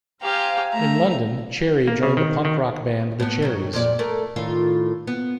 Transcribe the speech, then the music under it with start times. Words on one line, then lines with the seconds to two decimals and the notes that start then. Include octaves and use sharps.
In London, Cherry joined the punk rock band The Cherries.
0.21 G4 C5 F5 G#5 A#5
0.73 A3 E5 A#5
1.88 A#3
2.03 C#3
2.17 D#3
2.45 D#3
3.20 A2 B3
3.42 D#3 F#3
3.73 F2 A#2 D5
3.99 A3 A#4
4.36 A2 D#3 F4
5.07 B3